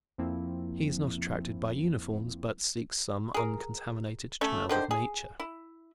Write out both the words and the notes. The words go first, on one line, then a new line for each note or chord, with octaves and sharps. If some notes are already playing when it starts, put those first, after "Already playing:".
He is not attracted by uniforms, but seeks some uncontaminated child of nature.
F2 F3 A#3 C4 E4
G#4 A#4
A3 C#4 A4
D3 D#3 C5
G#4
E4